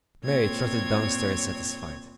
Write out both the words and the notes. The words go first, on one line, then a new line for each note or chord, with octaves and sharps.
Mary trotted down stairs satisfied.
A#2 C4 C#5 G#6